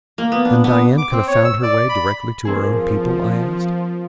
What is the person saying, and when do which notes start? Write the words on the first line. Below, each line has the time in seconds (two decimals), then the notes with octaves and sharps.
"Then Dian could have found her way directly to her own people?" I asked.
0.18 A#3
0.32 B3
0.45 D4
0.64 B3
0.98 D6
1.11 C4
1.27 C#5
1.44 E6
1.63 D5
1.89 B5
2.45 F3 A#3 C4 G#4